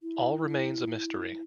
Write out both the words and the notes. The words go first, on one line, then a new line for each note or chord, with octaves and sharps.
All remains a mystery.
E4